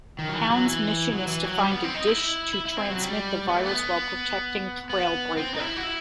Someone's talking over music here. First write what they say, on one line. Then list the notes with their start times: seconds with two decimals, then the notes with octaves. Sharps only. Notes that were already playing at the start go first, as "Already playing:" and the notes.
Hound's mission is to find a dish to transmit the virus while protecting Trailbreaker.
0.19 D#3
0.29 F#3
0.34 E3
0.50 F#3
0.65 E3
1.13 F#3
1.27 E3
1.44 F#3
1.59 G3
1.71 B3
1.84 C4
1.95 D#4
2.07 E4
2.53 E4
2.65 E4
2.77 C4
2.90 F#3
3.01 G3
3.48 B3
3.57 A3
3.66 B3
4.90 B3
5.37 C4
5.55 D#4
5.60 E4
5.77 F#4
5.83 E4